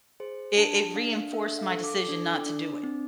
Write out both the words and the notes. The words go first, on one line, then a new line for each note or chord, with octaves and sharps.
it it reinforced my decision not to do it.
G#4 C5
D4 A5
D4 F5
A4 E5
F5
A4
D6
D4
D4
C4